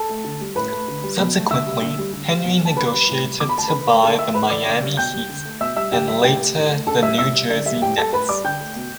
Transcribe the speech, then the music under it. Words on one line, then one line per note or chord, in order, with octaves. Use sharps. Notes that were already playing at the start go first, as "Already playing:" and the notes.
Subsequently, Henry negotiated to buy the Miami Heat and later the New Jersey Nets.
Already playing: A4 A5
A3
D3
G3
A2 B4 B5
A3
D3
G3
B2
A3
D3 E5 E6
G3
D3
G3
D3
G3
B2
A3 A5
D3 B4 B5
G3
A2
G3
B2 D6
B5
A3 A5
D3 B4 B5
A3
D3 A4 A5
A3 E5 E6
A2 B4 B5
E3 A3 D5 D6
D3
G3
B2 G5 G6
G3
D3
A3
B2 E5 E6
G3 E5 E6
D3 G4 G5
G3 E5
A2 G4 G5
A3
A2
A3
D3 A4 A5
G3 E5 E6
A2 E5 E6
G3
D3 D5
G3 E5
A2 G4 G5
G3 A4 A5
A2 B4 B5
G3 D5 D6
D3 G5 G6
A3
B2